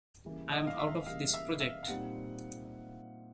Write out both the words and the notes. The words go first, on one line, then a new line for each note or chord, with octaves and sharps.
I'm out of this project.
C#3 E3 G3 A#3
D#5
F5
E5
C#3 E3 G3 A#3 F5
E5
E5
F5
A#2 G3 C4 D#4 F#5